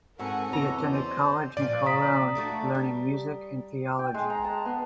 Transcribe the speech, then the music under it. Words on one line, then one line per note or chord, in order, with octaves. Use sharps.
He attended college in Cologne, learning music and theology.
G#2 C4 F#4 A4 A#4 F#5 G#5
E2 C#4 D#5 A#5
C5 D5
A#2 F3 D5
A#5 D#6 B6
A3 D4 F#4
G3
G5
G#3
A#5
A5
B3